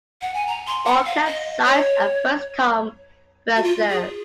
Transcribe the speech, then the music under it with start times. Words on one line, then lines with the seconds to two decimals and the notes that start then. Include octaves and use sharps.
All camp sites are first-come, first-served.
0.22 F#5
0.34 G#5
0.47 A#5
0.67 C6
0.86 F#5
1.06 F5
1.26 D#5
1.65 C#5
3.56 F#4
3.63 F4
3.90 G#4